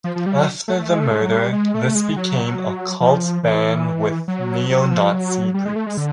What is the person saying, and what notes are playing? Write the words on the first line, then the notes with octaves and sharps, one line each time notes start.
After the murder, this became a cult band with Neo-Nazi groups.
F3
F3
G3
F#3
A3
G#3
A3
G#3
F#3
G3
G#3
A3
G#3
F#3
F3
E3
F#3
F#3
F3
F#3
G3
G#3
A3
G#3
D3